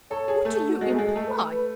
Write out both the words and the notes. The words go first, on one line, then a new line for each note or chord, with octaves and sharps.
What do you imply?
A4 C#5
G#4
A3 A4
F#4
G#3
A3 G#4
G#3
A3 A4
B4
B4